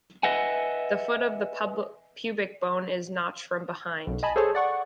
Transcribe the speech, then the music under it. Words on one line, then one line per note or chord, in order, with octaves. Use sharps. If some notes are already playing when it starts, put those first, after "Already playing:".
The foot of the pubic bone is notched from behind.
B4 D#5 E5 F#5 G#5
B1
D#5 G#5 A5 B5
G#4 A4 C5 C#5 A5
D5 F#5 C#6